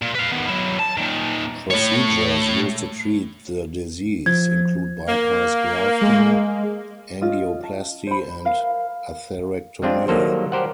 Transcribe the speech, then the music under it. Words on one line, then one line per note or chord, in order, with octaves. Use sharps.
Procedures used to treat the disease include bypass grafting, angioplasty, and atherectomy.
A#2
B4 F5
D#3 B3
F#3 E4
A5
A#2 D#3
A2 C#5
F3 G#6
A#3
G#3
C#4 F4 D#5
A5
C5 B5
A#4 F5
G3 G#3 C4 D4 F4
D#3 F#3 G3 A#3 A4 C5
G4 A#4 C5 D5 F#5